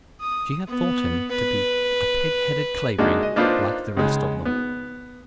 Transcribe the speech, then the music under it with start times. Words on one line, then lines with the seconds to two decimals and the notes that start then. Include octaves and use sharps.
She had thought him to be a pigheaded Clavering, like the rest of them.
0.21 D#6
0.68 B3
1.32 B4
2.98 G#3 A#3 D4 D#4 F#4
3.22 D#5
3.36 A#3 D4 D#4 F4 B4 C5
3.97 C#2 G#3
4.45 B3